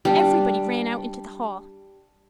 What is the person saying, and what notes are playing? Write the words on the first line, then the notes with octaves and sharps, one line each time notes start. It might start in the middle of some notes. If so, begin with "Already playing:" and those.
Everybody ran out into the hall.
G3 D4